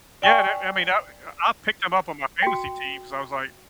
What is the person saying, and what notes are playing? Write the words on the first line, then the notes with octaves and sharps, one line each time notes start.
Yeah, that I mean, eh, I I picked him up on my fantasy team, 'cause I was like
D5 G5 G#5 C#6
F#4 G5